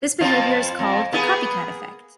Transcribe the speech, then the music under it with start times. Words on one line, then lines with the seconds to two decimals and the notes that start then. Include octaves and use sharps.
This behavior is called the "copycat effect".
0.21 F2 F3 F4
0.79 F2
1.12 A#3 B3 G#4